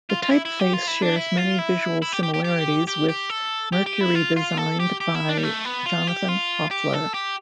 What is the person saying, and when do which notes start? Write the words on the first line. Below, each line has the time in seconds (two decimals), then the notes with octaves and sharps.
The typeface shares many visual similarities with Mercury designed by Jonathan Hoefler.
0.10 F4
0.23 F4
0.31 E4
0.45 E4
0.60 G4
0.73 F4
0.88 E4
1.02 D4
1.16 E4
1.37 F4
1.59 E4
2.02 E4
2.12 G4
2.23 G4
2.34 G4
2.44 G4
2.87 G4
3.09 G4
3.30 A4
3.73 G4
3.86 G4
4.01 E4
4.15 F4
4.37 F4
4.58 A4
4.80 G4
5.00 G4
5.15 E4
5.29 D4
5.38 G3
5.43 A3
5.65 B3
5.86 F4
6.08 G4
6.29 F4
6.71 G4
6.93 A4
7.14 G4